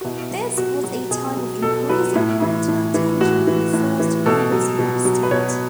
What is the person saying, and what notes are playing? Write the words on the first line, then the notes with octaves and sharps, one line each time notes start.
This was a time of increasing political tension in the first Yugoslav state.
F#4
B2 E4
F#3
B2 F#4
F#3 F#4
B2 G#4
F#3
B2 A4
F#3 B4
A2 E4
E3
A2
E3
A2 F#4
E3
A2
E3
B2 A4
F#3
B2
F#3
B4
B2 C#5